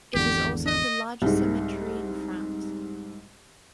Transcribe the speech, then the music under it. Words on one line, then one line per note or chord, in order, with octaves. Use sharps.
It is also the largest cemetery in France.
G#1 E2 D3 G4
D#5
C2 G#2